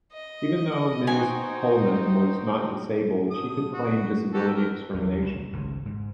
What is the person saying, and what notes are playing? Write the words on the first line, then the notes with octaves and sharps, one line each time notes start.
Even though Ms Coleman was not disabled, she could claim disability discrimination.
D#5
C4 D#4 F#4 G5 G#5
D3 D#6
F#4
F#4 G4 A4
A#4
E2
C2
G#1 C#2 D3 G#3
G#2